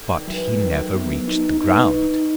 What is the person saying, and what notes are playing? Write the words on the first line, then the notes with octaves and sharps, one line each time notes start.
But he never reached the ground.
D3
D#3
E3 F#3
D3
D#3 F#3
D3
C3 B3
D#4
B2 D#4
D#4